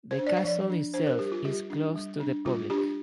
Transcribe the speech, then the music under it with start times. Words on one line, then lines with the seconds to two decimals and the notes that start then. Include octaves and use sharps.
The castle itself is closed to the public.
0.11 C5
0.19 D4
0.27 D5
0.37 F5
0.45 F3 D5
0.70 D4
0.94 D4 C5
1.07 A#4
1.19 G3 G4
1.32 F4
1.45 G3 G4
1.70 D4
1.96 G3
2.20 D4
2.45 G3 F4
2.70 D4 G4